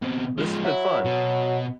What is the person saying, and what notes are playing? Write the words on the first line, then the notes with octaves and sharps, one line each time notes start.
This has been fun.
B2 C4
F3 G#3
F#3 E4
B2